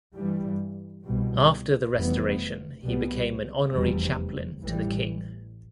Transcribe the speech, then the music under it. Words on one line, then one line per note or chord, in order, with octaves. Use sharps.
After The Restoration he became an Honorary Chaplain to the King.
G2 E3 G3
C2 B2 G3
F1 F2 E3 G3 B3
C2 B2 G3 B3
F1 E2 C3 G3
A1 A2 E3 G3